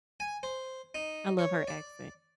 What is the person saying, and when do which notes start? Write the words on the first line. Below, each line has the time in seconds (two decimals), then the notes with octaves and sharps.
I love her accent.
0.20 G#5
0.43 C5
0.95 D#4
1.39 C#5
1.68 D5